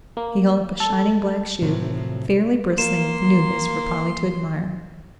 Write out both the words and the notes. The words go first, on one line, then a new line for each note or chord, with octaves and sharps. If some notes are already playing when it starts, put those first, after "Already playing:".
He held up a shining black shoe, fairly bristling with newness, for Polly to admire.
A#3
A4
A2 C3 F3 F#3
A#3 C6 E7